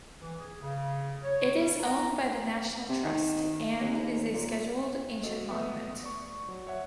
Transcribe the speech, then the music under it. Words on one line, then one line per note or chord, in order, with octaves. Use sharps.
It is owned by the National Trust, and is a Scheduled Ancient Monument.
E3
G#4
C#3
C#5
G3
A#5
C3
D#3
D#2
A#2
F#4 A4 D#5
A3 B3 E5 D#6
D5 C#6
F#3
C#5 E5 F#5